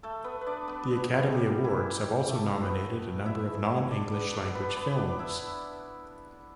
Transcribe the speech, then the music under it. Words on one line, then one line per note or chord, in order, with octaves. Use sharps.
The Academy Awards have also nominated a number of non-English-language films.
A3 A4
B3 B4
B4
D4 D5
B3 B4
G3 G4
E3 E4
G3 G4
A3 A4
B3 B4
E4 E5
D4 D5
B3 B4
D4 D5
D5
B3 B4
B3 B4
D4 D5
E4 E5